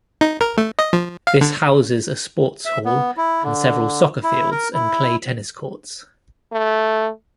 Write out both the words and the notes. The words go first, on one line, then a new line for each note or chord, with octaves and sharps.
This houses a sports hall and several soccer fields and clay tennis courts.
D#4
A#4
A3
D#5
F3
F5
D3
E5
B3
E4
D3
E4
A#4
E4
A3